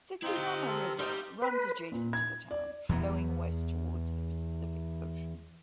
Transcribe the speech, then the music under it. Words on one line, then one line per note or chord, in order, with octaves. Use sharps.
The Cuyama River runs adjacent to the town, flowing west towards the Pacific Ocean.
C4 D#4 E4 F5
G4 A#5
C4 A4 A#4
G3 D#4 G4 A#4 C5
B4
A#2
G#6
D5
E2 E3 B3